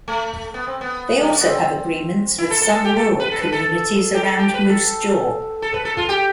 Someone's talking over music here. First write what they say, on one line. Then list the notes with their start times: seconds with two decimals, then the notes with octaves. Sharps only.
They also have agreements with some rural communities around Moose Jaw.
0.08 A3
0.54 B3
0.67 C4
0.81 B3
1.22 G3
1.30 A3
1.38 B3
1.46 C4
2.38 E4
2.51 A4
2.62 A4
2.73 A4
2.85 G4
2.96 A4
3.20 B4
3.31 A4
3.42 B4
3.52 A4
4.14 G4
4.23 A4
4.39 G4
4.54 B4
4.69 A4
5.62 A4
5.74 B4
5.85 A4
5.97 F4
6.09 G4